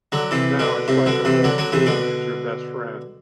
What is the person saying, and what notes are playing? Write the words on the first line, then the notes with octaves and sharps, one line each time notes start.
Now it's like the whole school is your best friend.
D3 F#3
C3 E3
B2 D3
A2 C3
B2 D3
C3 E3
D3 F#3
D3 F#3
C3 E3
B2 D3